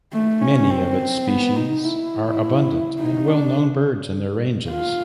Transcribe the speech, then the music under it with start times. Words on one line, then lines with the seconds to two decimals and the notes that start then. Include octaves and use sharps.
Many of its species are abundant and well-known birds in their ranges.
0.13 A3
0.42 C#4
0.70 C4
1.27 B3
1.56 D#4
1.84 E4
3.00 D#4
3.28 D4
4.71 F4